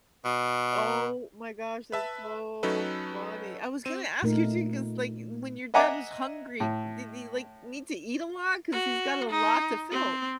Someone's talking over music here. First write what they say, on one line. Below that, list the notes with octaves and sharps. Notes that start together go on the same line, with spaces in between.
Oh my gosh, that's so funny. I was gonna ask you too 'cause, like, when your dad was hungry, did he, like, need to eat a lot? 'Cause he's got a lot to fill.
B2
B4 E5 A5
F#3 C#4 D#4 A4 B4
C4 D#7
A#2 A3 D#4 A#4
D#5 E5 F#5 G#5 A#5 D6
A2
F#4
D#4
C4